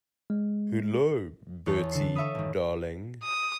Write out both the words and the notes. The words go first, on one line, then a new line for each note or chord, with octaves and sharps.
Hullo, Bertie, darling.
G#3
E2 C#5 A5
D3 A4 C7
A4 C#5 E5 F5 B5 D#6
A1 D#3
D#6